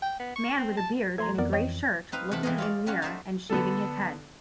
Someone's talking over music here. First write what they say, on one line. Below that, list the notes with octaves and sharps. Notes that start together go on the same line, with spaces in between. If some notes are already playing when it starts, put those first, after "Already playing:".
Man with a beard in a gray shirt looking in mirror and shaving his head.
G5
B3
C#6
C4
A5
F3 A3 A4 A#5 C6 G#6
F2 E3 B3 A#4 D5
C#5 D#5 G5
C4 D#4 B4 F5
E2 C3 A4 A5 B5
E3 G3 G#3 A#3 G#4 D#5
F4 C#5 D5
G3 A#3 C#4 F4 F#4 C#5
D#4 A4 C5 D5 E5
D3 B3 D4 A4